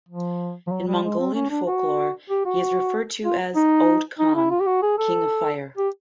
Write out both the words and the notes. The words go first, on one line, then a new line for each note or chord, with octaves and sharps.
In Mongolian folklore he is referred to as the Od Khan "king of fire".
F3
F3
F#3
G3
G#3
C4
C#4
D4
F#4
G4
F#4
F4
D#4
D#4
E4
F4
G4
F#4
G#4
A4
G4